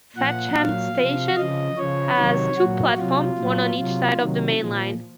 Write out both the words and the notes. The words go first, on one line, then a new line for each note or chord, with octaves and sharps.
Thatcham station has two platforms, one on each side of the main line.
A#2 F3 F#5
A#2 F#3 F5
C3 F3
C#3 F3 D#5
C#3 F3 C#5
C3 D#3 F#3
A#2 F#3 F#4
C3 F#3 F4
A#2 F#3
C3 F#3 F4
C3 D#3 F#3
A#2 F3